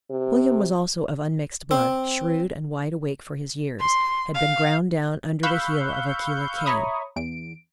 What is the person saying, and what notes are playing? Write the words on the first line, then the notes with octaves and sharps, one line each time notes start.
William was also of unmixed blood, shrewd and wide-awake for his years,--had been ground down under the heel of Aquila Cain.
C3
C4
C6
F5
F5 B5 C#6 E6 F#6 G6
C#5 E5 A#5 B5 C#6 D#6
E2 D7